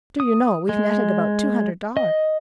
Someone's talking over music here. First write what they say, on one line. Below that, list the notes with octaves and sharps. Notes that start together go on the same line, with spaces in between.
Do you know, we've netted about two hundred dollars.
D#6
G#3
D#5